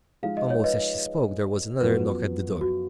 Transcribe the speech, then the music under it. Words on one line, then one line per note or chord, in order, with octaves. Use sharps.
Almost as she spoke, there was another knock at the door.
F3 G#3 D#4 G#4 F5
D#5
C#5
B4 D#5
F#2 F3 B3 F#4 B4
F#4